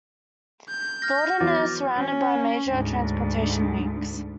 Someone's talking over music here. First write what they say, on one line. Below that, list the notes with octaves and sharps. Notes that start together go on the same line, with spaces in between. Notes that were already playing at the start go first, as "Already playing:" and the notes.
Thorndon is surrounded by major transportation links.
G6
F6 A#6
E2 E3 F#3 D6 A6
C#4
D2 G#2